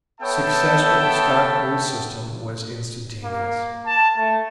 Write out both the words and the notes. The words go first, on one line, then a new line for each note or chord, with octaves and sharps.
Success with the "stock" news system was instantaneous.
B3 A4 C#5 E5 G5 A5
A#3
A5
A3